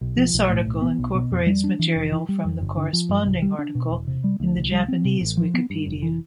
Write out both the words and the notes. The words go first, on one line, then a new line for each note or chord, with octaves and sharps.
This article incorporates material from the corresponding article in the Japanese Wikipedia.
B1
F3
B1
A2
B1
B3
B1
B2
F2
G3
D4
E3
F1
E3
G3
F2
G1
D3
F3
G2
C2
G3
D4
B2
E1
C3
G3
D2
C2
G3
C4
C3
A1
F3
B3
G2
F1
E3